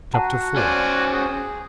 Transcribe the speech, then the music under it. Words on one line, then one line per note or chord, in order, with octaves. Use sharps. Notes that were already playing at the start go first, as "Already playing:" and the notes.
Chapter IV.
F#4 F#5 A5 A#5
C#4 C5 D5 G#5
G#4